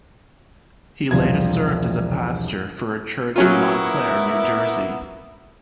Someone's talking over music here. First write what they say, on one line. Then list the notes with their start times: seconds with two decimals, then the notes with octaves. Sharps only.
He later served as a pastor for a church in Montclair, New Jersey.
1.11 E1 C2 F3 G#6
3.36 F#3 A#3 B3 C#4 E4 F4